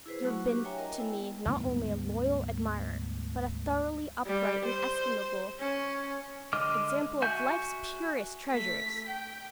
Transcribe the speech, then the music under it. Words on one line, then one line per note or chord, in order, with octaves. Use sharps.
You have been to me not only a loyal admirer, but a thoroughly upright and estimable example of life's purest treasures.
E4 G#4 B4 C5
F#3 A3 E4 F#4 F#5 C#6
D4 F#4 G4
C#5 E5 G5 G#5 A#5
A#4 D#5
B3 E4 G5 G#5
D2 G#2 G3 B3
G3
C5
C#4
D3 G#3 D#5 D6 F6
F#4 E5 G#5 G6
A3 B6
G5